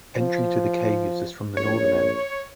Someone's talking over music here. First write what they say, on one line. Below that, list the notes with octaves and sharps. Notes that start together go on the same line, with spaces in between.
Entry to the caves is from the northern end.
F3
A#1 C#5